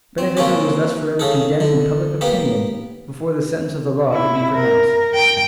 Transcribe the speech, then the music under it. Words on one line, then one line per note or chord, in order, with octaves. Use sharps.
Benedetto was thus forever condemned in public opinion before the sentence of the law could be pronounced.
C4
F3 A#3 C4 C#4 G4
C#3 G#4 A4
D3
A#3 B3 G4
E4
A#4
G5